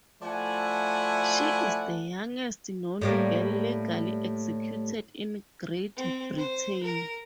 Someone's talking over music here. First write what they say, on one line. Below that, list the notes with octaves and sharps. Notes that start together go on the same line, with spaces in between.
She is the youngest known girl legally executed in Great Britain.
F3 A3 E4 D5 F#5 G#5
A2 G3 A#3
C4
C5
A#4